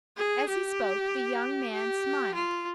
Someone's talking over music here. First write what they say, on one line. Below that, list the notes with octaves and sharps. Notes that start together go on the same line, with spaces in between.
As he spoke the young man smiled.
G#4
G4
G4
F4